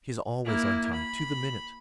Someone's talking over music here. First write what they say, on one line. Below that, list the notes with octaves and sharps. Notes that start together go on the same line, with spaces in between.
She's always on time, to the minute.
A#3 E4
B5